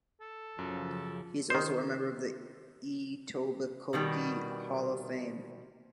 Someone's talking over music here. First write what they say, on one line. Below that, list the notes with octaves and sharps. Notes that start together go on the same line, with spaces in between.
He is also a member of the Etobicoke Hall of Fame.
A4
F#2 C#3 F3
D#3 C5
B2 D#3 G3